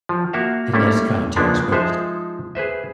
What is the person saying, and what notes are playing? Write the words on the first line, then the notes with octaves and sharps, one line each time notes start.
in this context, but
F3
A#3 F#4 A#4 E5 F5
G3 A3 A#3 C#4 E4
C#3 F3 G#3 A#3 B3 D4
F3 G#3 D#4 G#4 C5 E5
G#4 B4 C5 E5